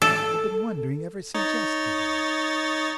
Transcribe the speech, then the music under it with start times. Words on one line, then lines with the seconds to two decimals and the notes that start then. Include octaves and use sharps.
I've been wondering ever since yesterday.
0.02 A4
1.34 D#4 C#5 A6